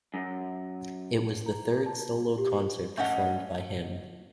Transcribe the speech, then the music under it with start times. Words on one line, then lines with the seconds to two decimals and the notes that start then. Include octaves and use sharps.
It was the third solo concert performed by him.
0.14 F#2
1.46 A#5
1.86 A5
2.38 G4
2.97 A3 C#4 D#5 F#5